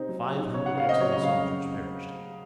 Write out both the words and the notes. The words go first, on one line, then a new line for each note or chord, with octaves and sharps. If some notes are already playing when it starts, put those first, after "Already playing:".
Five hundred excellent soldiers perished.
Already playing: C3 C4 D#4
F#3
C3
D#4
C#3 C#5
C#3 F#5
F5
C4 D#5
F#3 C#5
C#3 D#5
F5
C#3